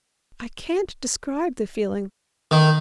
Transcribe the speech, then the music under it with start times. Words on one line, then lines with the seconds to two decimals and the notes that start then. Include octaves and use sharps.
I can't describe the feeling.
2.51 D#3